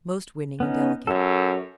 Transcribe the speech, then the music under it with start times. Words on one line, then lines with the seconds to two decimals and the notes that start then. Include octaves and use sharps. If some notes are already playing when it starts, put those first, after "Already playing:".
"Most winning and delicate."
0.60 B3 C#4 D#4
1.07 F#2 A4 C#5